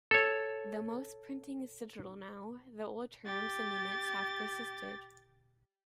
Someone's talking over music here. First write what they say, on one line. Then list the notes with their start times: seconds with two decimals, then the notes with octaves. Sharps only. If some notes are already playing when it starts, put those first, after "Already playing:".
Though most printing is digital now, the old terms and units have persisted.
0.11 A4 C#5
3.26 G4 A6